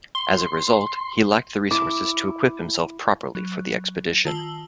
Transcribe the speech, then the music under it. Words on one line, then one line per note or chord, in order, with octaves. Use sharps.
As a result, he lacked the resources to equip himself properly for the expedition.
C6
E4 D6
F#3
D#3 F4 A5 E6 F#7 G7